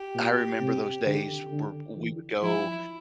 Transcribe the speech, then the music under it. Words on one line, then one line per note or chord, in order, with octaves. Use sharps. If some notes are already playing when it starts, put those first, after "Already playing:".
I remember those days where w we would go
Already playing: G4
A#2
C3
D3
D3
E3
F3 E4